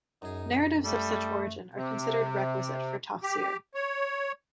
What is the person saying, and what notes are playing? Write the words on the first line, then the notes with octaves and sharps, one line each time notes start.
Narratives of such origin are considered requisite for tafsir.
F#2 D#4 G#4
G3 A3 A4
C3
G4
C#5